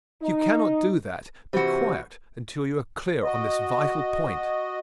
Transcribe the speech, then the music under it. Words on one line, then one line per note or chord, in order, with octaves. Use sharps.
If you cannot do that, be quiet until you are clear on this vital point.
D#4
C3 E3 F#4
F#4 D#5